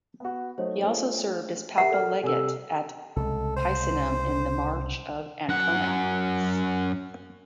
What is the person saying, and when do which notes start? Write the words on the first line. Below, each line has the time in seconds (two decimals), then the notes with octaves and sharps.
He also served as papal legate at Picenum in the March of Ancona.
0.20 B3 F#4
0.58 F#3 A3 D#4 C5 C#5
0.83 A3 D4 F4
1.78 G4 A#4 E5 F#5
1.89 A4 D5 F6
2.23 C3 G4 A4 G#5 E6
3.16 C2 C#3 G#3 A4
3.56 C5
5.49 F#2 F#5